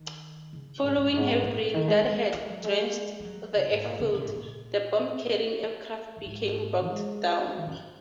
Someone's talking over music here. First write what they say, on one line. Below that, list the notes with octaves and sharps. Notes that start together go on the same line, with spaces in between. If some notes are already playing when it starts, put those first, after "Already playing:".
Following heavy rain that had drenched the airfield, the bomb-carrying aircraft became bogged down.
Already playing: D#3
C#3
G#2
G#2
F#2
G#2
A#2
D#3
G#3
G#3
G#3
F#3
G#3
G#3
F#3
C#3
G#2
A#2
C#3
C#3
A#2
G#2
A#2
F#2
G#2
G#3
F#3
D#3
F#2